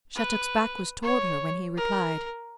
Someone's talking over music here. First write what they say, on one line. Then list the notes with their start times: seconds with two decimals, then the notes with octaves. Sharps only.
Shattuck's back was toward her when he replied.
0.15 B4
1.02 C#5
1.77 A#4